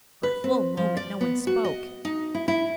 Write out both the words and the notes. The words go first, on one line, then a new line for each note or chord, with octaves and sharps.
For a full moment no one spoke.
B4
C4
F3
D5
B3
F#4
D#5
D#4
E4
E4